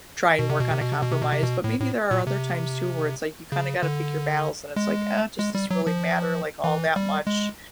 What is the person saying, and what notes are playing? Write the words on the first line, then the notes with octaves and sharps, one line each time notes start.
try and work on a compromise, but maybe there are other times too, where it's like you kinda gotta pick your battles, and it's like, "Uh, does this really matter, like, all that much?"
B2
C3
B2
C3
B2
C3
B2
C3
B2
C3
B2
A2
A2
A#2
C3
C#3
D3
G#3
G#3
G3
F#3
F3
E3
G3
G#3